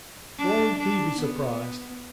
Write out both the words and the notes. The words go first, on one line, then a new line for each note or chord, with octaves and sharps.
"Won't he be surprised!"
D4
D4
B3